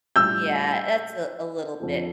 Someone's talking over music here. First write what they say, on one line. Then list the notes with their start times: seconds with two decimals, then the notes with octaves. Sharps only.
Yeah, that's a a little bit,
0.16 A2 G3 D4 F4 E6 G6
1.80 F2 D3 F3